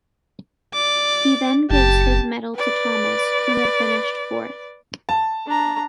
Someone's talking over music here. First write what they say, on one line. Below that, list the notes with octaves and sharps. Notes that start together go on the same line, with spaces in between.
He then gives his medal to Thomas, who had finished fourth.
D5 D6
F#1 G4 A5
B4 D5
A5
D4 A#5